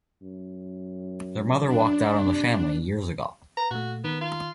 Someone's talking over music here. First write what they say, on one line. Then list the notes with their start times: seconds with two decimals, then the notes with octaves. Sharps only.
Their mother walked out on the family years ago.
0.22 F#2
1.64 D4
2.19 C3
3.57 B4 A#5
3.71 A#2 A3 F#4
4.04 D#3 B3
4.21 F4